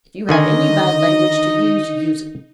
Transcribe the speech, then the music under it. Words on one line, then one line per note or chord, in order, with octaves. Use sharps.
'If you have any bad language to use, use it.
D3 D#3 D#4 D#5 G#5